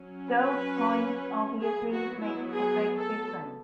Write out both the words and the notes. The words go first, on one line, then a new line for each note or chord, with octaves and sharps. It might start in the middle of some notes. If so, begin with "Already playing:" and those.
Those points obviously make a big difference.
Already playing: F#3 C#4
B4
F#3 G#4
B3
F#4
E4
G#4
A4